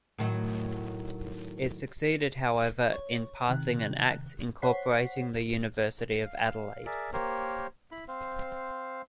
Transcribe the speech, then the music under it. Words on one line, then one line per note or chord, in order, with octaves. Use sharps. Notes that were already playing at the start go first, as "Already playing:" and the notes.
It succeeded, however, in passing an act incorporating the University of Adelaide.
A2 D#3 F#3
C#5
C3 D#3 F#6
C5 C#5 F#5 B6 C7
F5
G#4 A#4 D5 E5
A#3 G4 A#4 C5 C#5
E4 B5
C4 C5 F5